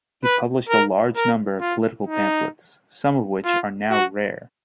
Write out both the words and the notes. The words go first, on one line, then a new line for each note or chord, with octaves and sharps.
He published a large number of political pamphlets, some of which are now rare.
B4
A#4
A#4
F4
D#4
F4
F#4